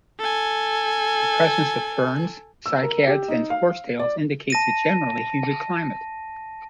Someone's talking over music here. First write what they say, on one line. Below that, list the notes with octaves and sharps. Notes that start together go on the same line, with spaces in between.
The presence of ferns, cycads, and horsetails indicates a generally humid climate.
A4 G#5
E6
A#4
G4
D#4
F5
D5
A5 A#6 D#7